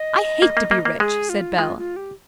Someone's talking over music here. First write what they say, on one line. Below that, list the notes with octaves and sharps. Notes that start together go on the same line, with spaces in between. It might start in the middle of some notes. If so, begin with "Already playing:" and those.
"I hate to be rich," said Bell.
Already playing: D#5
A#3
A#3
A#3
A#3
G#3 G#4
F4
D#4
G#3 F4
F4
G4